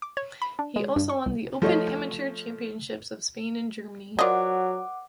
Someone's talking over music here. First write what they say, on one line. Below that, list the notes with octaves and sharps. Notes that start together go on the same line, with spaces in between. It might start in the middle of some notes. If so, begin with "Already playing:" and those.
He also won the open amateur championships of Spain and Germany.
D6
C#5
B5
D4
G#3
G2
C#6
C2
F3 A3 C#5 D#5
F#3 F4 A#4 C5 D5 D#5 F#5 D6